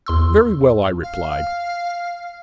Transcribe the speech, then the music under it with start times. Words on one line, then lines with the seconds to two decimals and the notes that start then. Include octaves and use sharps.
"Very well," I replied.
0.06 E2 C6 E6
1.03 F5